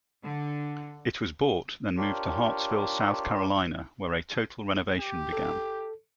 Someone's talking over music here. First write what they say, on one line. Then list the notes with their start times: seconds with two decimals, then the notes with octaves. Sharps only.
It was bought, then moved to Hartsville, South Carolina where a total renovation began.
0.23 D3
1.97 D4 F4 G4 A#4 C#5
5.00 G4
5.33 A4